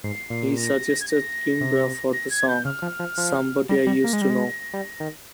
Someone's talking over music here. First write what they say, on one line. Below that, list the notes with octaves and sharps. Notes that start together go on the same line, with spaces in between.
He suggested Kimbra for the song "Somebody I used to Know".
G#2 C7
A#2
A#6
G#6
A#6
C3
A#6
G#6
G6
C#3 F6
F3
F3
F3
G3 A#6
G3
A#3
G#3
G3
G#3
G3
D#3